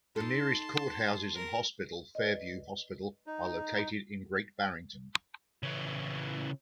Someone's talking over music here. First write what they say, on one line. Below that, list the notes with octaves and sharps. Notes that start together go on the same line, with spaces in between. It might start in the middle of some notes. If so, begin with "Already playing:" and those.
The nearest courthouses and hospital, Fairview Hospital, are located in Great Barrington.
D#4 A4 A5 C6
A#4
B4 D5 D#5
D#4
C#3 E3